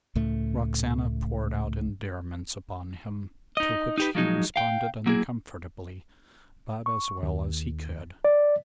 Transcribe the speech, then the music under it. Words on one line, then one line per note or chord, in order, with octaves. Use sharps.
Roxana poured out endearments upon him, to which he responded uncomfortably, but as well as he could.
C#2 A2 A3
D#4 D#5
D#4 G4 B4
F3 F#3 G#3 D#4
F5 G5
F#3 A#3 E4 G#4
C#6
D#2
D5